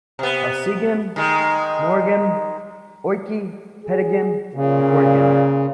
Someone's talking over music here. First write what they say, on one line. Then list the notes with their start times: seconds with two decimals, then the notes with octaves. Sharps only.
Elsegem, Moregem, Ooike, Petegem and Wortegem.
0.19 C3 B3
1.16 D#3 G#3
3.84 G#4
4.54 A#2 C#3